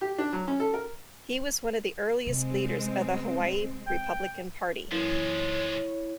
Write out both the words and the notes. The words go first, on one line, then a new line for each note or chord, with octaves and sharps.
He was one of the earliest leaders of the Hawaii Republican Party.
G4
D4
F#3
C#4
A4
A#4
C3 G#3 C4
G5
F#2 E3 F3 G#3 A#3 E4 C#5